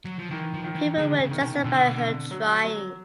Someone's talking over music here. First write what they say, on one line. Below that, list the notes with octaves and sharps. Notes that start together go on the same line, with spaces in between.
People will justify her trying.
F#3
F3
D#3 E3
F3
D#3
E3
D3 G#3
C#3
D#3
B2
B2 D3
D3
F#3
F#3